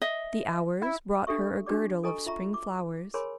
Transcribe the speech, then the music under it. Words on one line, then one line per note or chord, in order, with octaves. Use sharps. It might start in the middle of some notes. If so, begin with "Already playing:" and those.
The Hours brought her a girdle of spring flowers.
D#5 E5
E4
D4 G4 A4 E5 C#6
D4 F#4 G4 D5 D6
A4 D#5 G#5 A#5 C#6
F4 E5 A#5 C#6
D6
G#4 A#4 C#5 G#5 B5 C6